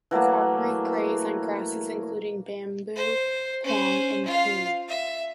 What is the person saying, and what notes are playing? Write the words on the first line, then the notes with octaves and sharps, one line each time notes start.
Kouprey graze on grasses, including bamboo, ploong, and koom.
E3 F#3 A3 A#3
C5
C#4 C5
F4 F5
E5